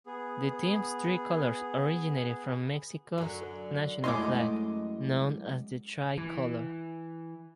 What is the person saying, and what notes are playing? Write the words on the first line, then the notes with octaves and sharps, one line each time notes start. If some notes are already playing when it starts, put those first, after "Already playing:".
The team's three colors originated from Mexico's national flag, known as the tricolor.
B3 G#4
F#2 D3
F#2 G#3 A3 C#4 E4 D#5 C6 D6
E3